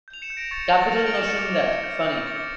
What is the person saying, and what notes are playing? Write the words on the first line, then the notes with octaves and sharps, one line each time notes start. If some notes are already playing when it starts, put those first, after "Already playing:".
Capital notion that — funny.
G6
F7
C#7 E7
G6
A#6 D7
C#6 A6 C#7
A#6
C#6
A6
F6 A6
D7 F7
F6 C#7 E7
A6 C#7
D6
D6
G6
G6
D6 A6 C#7